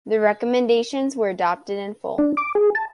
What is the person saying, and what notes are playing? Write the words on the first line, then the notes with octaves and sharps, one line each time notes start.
The recommendations were adopted in full.
D4
D6
G#4
A5